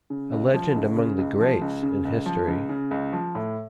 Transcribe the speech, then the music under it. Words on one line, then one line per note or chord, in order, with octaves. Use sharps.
A legend among the greats in history.
C#3
C#2
F3
C#2
C#3
C#2
F3
C#2
C#3
C#2
F3
C#2
C#3
C#2
F3
A2